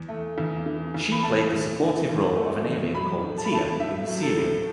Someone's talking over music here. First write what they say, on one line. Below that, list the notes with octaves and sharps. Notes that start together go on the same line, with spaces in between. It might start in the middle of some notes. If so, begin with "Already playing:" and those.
She played the supportive role of an alien called "Tia" in the serial.
Already playing: E2
A3
E2
E3
E2
B5
A3 A5
E2
E3
E2
A3
E2
F#3 B5
A2
A5
B5
A3 A5
A2 E5
F#3
A4
A2